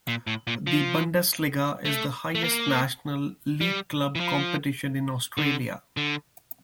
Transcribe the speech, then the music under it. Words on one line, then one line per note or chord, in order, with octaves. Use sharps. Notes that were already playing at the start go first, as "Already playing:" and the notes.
The Bundesliga is the highest national league-club competition in Austria.
A#2
A2
A#2
F3
A3
A3
A#3
G3
E3
F3
D3
D3